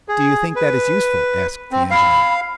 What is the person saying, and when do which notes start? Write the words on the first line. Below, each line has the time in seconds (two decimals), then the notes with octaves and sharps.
"Do you think that is useful?" asked the engineer.
0.09 G#4
0.56 B4
1.72 C4
1.91 F5 B5